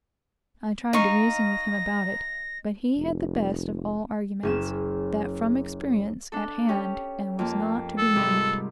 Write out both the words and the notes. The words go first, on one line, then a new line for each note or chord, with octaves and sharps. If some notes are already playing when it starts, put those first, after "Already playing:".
I tried to reason with him about it, but he had the best of all arguments, that from experience, at hand, and was not to be moved.
D#4 F5 C#6 A#6
F1
F#1 C#4 E7
D4 A4
C#4 G4
F2 A#3
A4
G#2 C3 G3